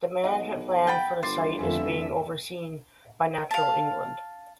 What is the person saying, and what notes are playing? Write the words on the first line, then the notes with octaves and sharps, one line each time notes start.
The management plan for the site is being overseen by Natural England.
B1 D#5 F#5
F#5 G5 B5 A6
G1 C5 D6 A6 C7
F2 D3 A3 F4 E5 G#5
F5 A5